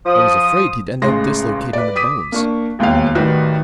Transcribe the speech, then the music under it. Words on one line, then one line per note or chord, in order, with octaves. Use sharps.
I was afraid he'd end up dislocating the bones.
F3 D#6
A1 C#3 G#3 C6 A#6
B4 D5
D6 D#6 B6 D#7
A#3 D4 C#6
E1 D#2 B2 G4 F5
A1 D#3 G3 F#4 B4